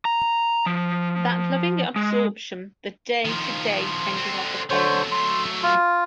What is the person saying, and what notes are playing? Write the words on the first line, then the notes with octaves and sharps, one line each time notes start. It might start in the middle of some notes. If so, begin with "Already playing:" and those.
That loving absorption - the day to day tending of the poems.
A#5
F3
G#3
D#3 F3
D3 C4
D3 F#3 A3 C5 C#5
C6
F4